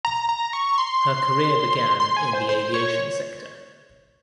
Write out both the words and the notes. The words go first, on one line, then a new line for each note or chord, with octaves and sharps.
Her career began in the aviation sector.
A#5
A#5
C#6
C6
C6
G#5
C5
C5
C#5